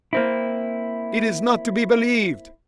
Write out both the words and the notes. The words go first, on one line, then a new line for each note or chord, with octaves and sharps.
It is not to be believed!
A#3 C4 E4